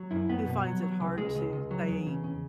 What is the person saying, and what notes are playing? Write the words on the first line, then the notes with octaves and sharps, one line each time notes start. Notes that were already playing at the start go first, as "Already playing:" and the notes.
who finds it hard to say,
Already playing: F#3
F#2 E4
F#2 B3
B2
F#3
F#3
C#2
C#2 G#3
C#2
C#2
F#3
E2
C#3
C#3